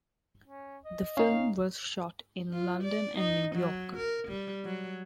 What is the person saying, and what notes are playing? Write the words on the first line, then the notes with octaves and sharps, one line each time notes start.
The film was shot in London and New York.
C#4
D#5
C#4 D#4 F5
F4
D5
D#4
F#3
A#4
G3
F#3